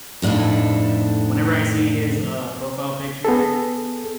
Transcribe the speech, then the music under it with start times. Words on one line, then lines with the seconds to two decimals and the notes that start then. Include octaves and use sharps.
happening over there. Whenever I see his, uh, profile picture,
0.22 F2 A2 D4 D#4 A4
3.25 B3 G#4 A4